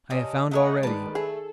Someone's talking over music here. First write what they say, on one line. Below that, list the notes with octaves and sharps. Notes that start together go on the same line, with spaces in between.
"I have found already."
C3 C#4 D4 D#5
A3 A#4 C#5 D#5 F#5
D#3 G#3 B4 D5 A5
A3 G#4 A4